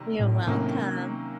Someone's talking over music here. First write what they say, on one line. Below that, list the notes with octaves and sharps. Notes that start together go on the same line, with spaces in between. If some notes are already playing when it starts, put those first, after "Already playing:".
You're welcome!
Already playing: C3 D#3 G3
A2
A2 C3 D#3 F#3 A#3 C#4